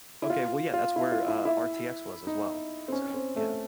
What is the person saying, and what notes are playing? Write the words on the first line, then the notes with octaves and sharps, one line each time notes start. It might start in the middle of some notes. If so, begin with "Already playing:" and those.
Okay, well, yeah, that's where, uh, RTX was as well, so, yeah.
E4
F4
F4
E4
F4
E4
E4
D#4
C4
C#4
C4
A3